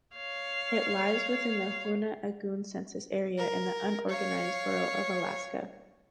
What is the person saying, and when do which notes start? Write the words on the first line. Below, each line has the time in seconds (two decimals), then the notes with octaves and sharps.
It lies within the Hoonah-Angoon Census Area, in the Unorganized Borough of Alaska.
0.17 C#5 F5
3.38 A#4
4.09 C#5 F5